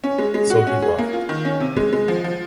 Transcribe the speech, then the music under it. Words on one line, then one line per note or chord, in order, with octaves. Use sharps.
So he left.
C#4
G#3
G#3
F#4
C#4
G#4
A#3
F4
D#3
C#4
C3
G#3
G#3
F3
F3